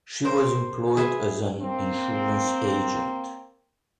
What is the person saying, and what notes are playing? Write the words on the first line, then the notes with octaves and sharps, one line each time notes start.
She was employed as an insurance agent.
A#4 C5
G#4 B4 E5
A#3 C4